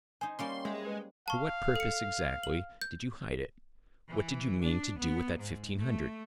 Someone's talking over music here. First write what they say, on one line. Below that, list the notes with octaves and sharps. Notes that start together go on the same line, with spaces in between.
For what purpose exactly did you hide it, what did you mean to do with that fifteen hundred?
D#4 C5 G#5
G3 A#3 C#4 C6
G#3 C5 E5
G#4 B4 C#5
F5 A5 C#6
A4 C#7
F#7
G6
E3
D4
B3
G#2
A3